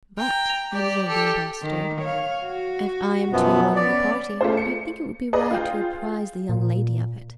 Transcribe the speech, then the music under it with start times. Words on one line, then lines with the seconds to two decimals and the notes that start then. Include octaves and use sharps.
"But," observed the ambassador, "if I am to be one of the party, I think it would be right to apprize the young lady of it."
0.18 G5 A#5
0.73 G4 D5
1.08 G4 A4
1.62 D#3
2.02 C#5 F5
2.43 F#4
3.33 F#2 B2 F3 B3
3.76 B3 C#4 D5
4.41 A3 C#4 F4 G#4 C5
4.57 C#7
5.33 G#4 B4 D5 D#5
5.51 F4 G#4 G5 G6
6.49 A#2